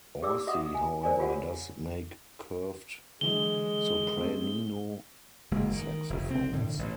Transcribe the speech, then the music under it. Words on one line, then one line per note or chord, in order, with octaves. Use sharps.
Orsi, however, does make curved sopranino saxophones.
G4 D5 D6 E6
F#4 D#5 E5 F#5 D#6
G#5
A#4 C5 D5 D#5 G#5
F4 G4 C#5 F#5
D3 E3 F#3 G#3 G7
A3 C4
F#1 G#3 A#3
D#3
F1
C4
A2 D3 D#3
A1